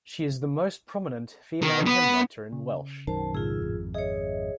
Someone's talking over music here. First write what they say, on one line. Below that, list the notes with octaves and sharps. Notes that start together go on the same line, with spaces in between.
She is the most prominent female hymn-writer in Welsh.
D#3
B3
C#3
B1 F#2 D#3 A#4 C5 A5
A2 C#3 F4 G#4 E6
G#1 F2
G#4 C#5 D#5 E5